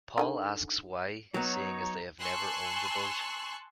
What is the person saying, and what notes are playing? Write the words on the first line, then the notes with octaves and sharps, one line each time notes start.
Paul asks why, seeing as they have never owned a boat.
D3 D#3 G#5
F#3 B3 D#4 C#5 A#5
G#5 A5 C6 C#6 E6 F#6